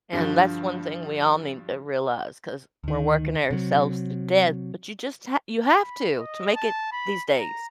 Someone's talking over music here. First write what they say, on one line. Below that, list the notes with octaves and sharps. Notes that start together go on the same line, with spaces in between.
And that's one thing we all need to realize 'cause we're working ourselves to death, but you just ha you have to, to make it these days.
G2 D3 F3 F#4
D2 D#3
C3 F#3
B5
D#5
A5
B5
A#5